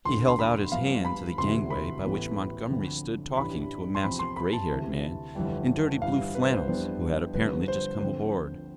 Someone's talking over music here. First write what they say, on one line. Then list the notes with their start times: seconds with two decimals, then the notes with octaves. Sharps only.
He held out his hand to the gangway by which Montgomery stood talking to a massive grey-haired man in dirty-blue flannels, who had apparently just come aboard.
0.05 E1 D2 D3 C6
0.28 C6
0.39 B5
0.72 G2 F3 B3 F5
1.05 B5
1.37 E1 D2 C3 E3 C6
1.70 B5
2.05 A1 A2 E3 B3
2.70 D2 D3 F3 C4
3.36 A1 G2 E3 G3 D4 B5
3.95 C6
4.03 E2 C3 F3 C4 B5
4.19 C6
4.36 B5
4.53 A5
4.69 D2 C3 E3
5.35 G1 F2 E3 G3
6.02 G1 G2 E3 F5
6.35 B4
6.44 C5
6.52 B4
6.68 F2 E3 G3 B3 D4 C5
7.34 G1 G2 F3 C4 B4
7.68 C5
8.00 D2 D3 F3 C4 C5